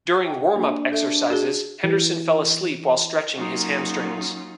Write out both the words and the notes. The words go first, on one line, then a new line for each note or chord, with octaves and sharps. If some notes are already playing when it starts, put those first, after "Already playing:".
During warmup exercises Henderson fell asleep while stretching his hamstrings.
F#5 G5
A#3 D4
A4 E5
F#4 G#4
E3
F#3 A#3 C#4 D#4 F4 F#4